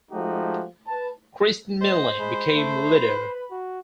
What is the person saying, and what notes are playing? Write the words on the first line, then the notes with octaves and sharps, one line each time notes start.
Christine Milne became leader.
F3 G#3 A3 D#4 F#4 G4
B4 A5
C5 D#5
G#3 B5
A3
B4
F#4